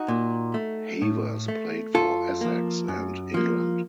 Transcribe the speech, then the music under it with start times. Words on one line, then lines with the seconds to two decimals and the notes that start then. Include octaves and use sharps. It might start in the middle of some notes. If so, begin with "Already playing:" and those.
Havers played for Essex and England.
Already playing: D#4 F#4
0.08 A#2
0.54 A3
1.02 A2
1.48 A3
1.95 F#2 F4 A4
2.41 F3 A#3
2.88 F#2
3.34 F3 A#3